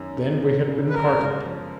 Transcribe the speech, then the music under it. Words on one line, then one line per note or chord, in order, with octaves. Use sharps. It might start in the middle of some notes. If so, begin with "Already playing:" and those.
Then we had been parted.
Already playing: F#2 D#3
A3
F#3
C#3
B4
F#2 A#4
G#3
F3